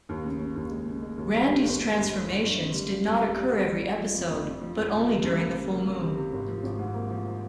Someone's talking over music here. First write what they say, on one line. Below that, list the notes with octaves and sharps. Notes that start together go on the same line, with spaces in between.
Randi's transformations did not occur every episode but only during the full moon.
D#2
C#3
C#3
D#2
G#3
C#3
G#3
D#2
G1
G3
G1
G3
G2
G1
G1
G1
C#3
G3
G3
F2
G3
G3
C4
G3
F3
F3
F2
F2
F2
F3
F1
F2
C3
C#2
A#3
C3
A#3
A#3
C3
C3
G#1
F3
G#1
G#2
A#3
F3